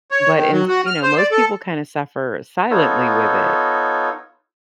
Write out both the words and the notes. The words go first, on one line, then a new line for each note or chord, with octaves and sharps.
But in you know, most people kinda suffer silently with it.
C#5
D#3
F#3
F#4
F6
C5
D5
A4
B3 D#4 F4 A4 C#5